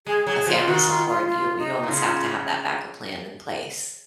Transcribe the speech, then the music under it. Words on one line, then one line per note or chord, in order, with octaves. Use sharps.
a family support, you you almost have to have that backup plan in place.
G#3 G#4
F#3 G#4
F3 F#4
F4
D#3 F#4
F4
F4
F4
D#4
B2
C#3 F4